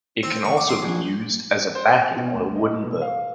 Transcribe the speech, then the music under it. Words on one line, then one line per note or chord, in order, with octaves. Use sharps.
It can also be used as a backing on a wooden bow.
C4
C#6
D6
C6
A#1
C5
G#5
B2
D2
D#5
B2
F5